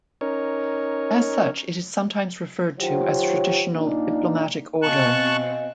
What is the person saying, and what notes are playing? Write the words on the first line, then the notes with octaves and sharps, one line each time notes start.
As such it is sometimes referred to as a traditional "diplomatic order".
C#4 D#4 A#4 C#5
D#3 F#3 F4 G4 C5 C#5
A#2 A#3 D4 D#4
B2 C4 D#5 F5 G#5 A5 C#6 F#6